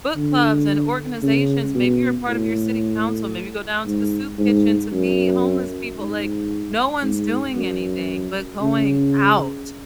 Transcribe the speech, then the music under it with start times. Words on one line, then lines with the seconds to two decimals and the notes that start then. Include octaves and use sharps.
book clubs and organizations, maybe you're part of your city council, maybe go down to the soup kitchen to feed homeless people, like, no one's doing anything, but going out!
0.16 D3
1.22 C#3
1.75 B2
2.28 A2
3.86 G#2
4.39 G#2
4.91 F#2
5.97 G#2
7.02 G#2
7.55 F#2
8.61 C#3